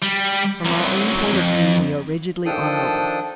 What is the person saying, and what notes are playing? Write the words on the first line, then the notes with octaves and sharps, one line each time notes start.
From our own point of view we are rigidly honourable.
G3
C2 F#3
F2
D#3 F3 D4 A4 G5 D#6